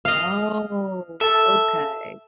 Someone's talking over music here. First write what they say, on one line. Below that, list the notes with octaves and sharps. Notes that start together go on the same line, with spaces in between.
Oh. Okay.
D#5 F5
A4 E5 A5